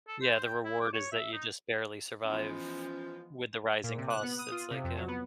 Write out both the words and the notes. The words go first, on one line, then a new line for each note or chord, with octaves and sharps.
Yeah, the reward is that you just barely survive with the rising costs, it's like yeah.
A4
C5
G5
E4
D6
C#5
E5
D#4
E3 F3 G#3 B3 C#4
A#2
C3
F#6
B3
D#6
F4
C3
F2
F#3
B3